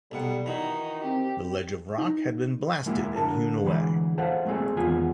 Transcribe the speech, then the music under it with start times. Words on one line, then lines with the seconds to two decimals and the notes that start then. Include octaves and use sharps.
The ledge of rock had been blasted and hewn away.
0.12 B1 B2 G3 F#5
0.46 D#3 E3 D#4 F#4
1.03 C4 G4
1.98 D#4
2.86 G#3 A#3 E4 G4
3.16 D3 A#4 A5
3.63 D2 E3 G#3 B5
4.18 E4 A4 C5 F5 F#5
4.45 G#3 A3 C4 G#4 A4
4.77 E2 D#3 G#3 B3 F4 G#5